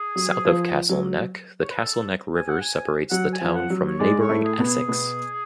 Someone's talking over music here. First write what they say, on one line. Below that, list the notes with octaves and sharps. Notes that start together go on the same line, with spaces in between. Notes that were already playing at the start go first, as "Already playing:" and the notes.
South of Castle Neck, the Castle Neck River separates the town from neighboring Essex.
Already playing: G#4
F#3
F3
F#3
C#5
B4
A4
G#5
F#5
G#5
F#3 F#5
G#5
F3
F#5
F#3
C#5
G#2 G#3 D5
C#5
A2 A3
G#4
B2 B3
G#4
B2 B3